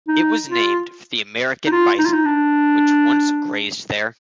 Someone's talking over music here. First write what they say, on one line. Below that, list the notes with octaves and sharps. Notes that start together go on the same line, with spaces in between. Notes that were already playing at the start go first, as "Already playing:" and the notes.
It was named for the American bison, which once grazed there.
D#4
F4
D#4
F4
D#4
F4
D#4
D4